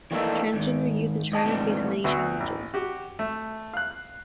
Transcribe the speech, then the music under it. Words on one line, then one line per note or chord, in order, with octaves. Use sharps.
Transgender youth in China face many challenges.
E3 G3 A3 A#3 D#4 A4
G#2 D#3
G#2 D#5 A5
D2 G#2 C3 E3 G3 A3
D2 B3 F#4 E5 E6
A1
F#4 G4
A3
F5 F#6